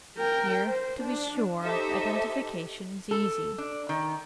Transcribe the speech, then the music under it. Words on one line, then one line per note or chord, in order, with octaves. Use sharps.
Here, to be sure, identification is easy.
A#4 G5
C5
D4
D#4 G4 A4 C5 D#5 E5
A4
D4
D#3